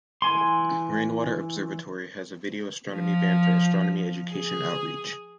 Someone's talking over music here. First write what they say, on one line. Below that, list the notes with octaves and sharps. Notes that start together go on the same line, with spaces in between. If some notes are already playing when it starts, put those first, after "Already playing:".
Rainwater Observatory has a video astronomy van for astronomy education outreach.
E3 G#5 C6
F3
G#4